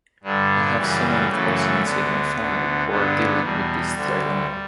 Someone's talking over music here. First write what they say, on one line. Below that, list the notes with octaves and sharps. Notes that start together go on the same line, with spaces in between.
I have so many cousins in my family who are dealing with this dilemma.
G2 D3 G3
F#2 C#3 E3
F#2 C#3 E3 A3
D2 D3 B3
D2 D3
G2 D3 B3
E2 B2 G3
D2 D3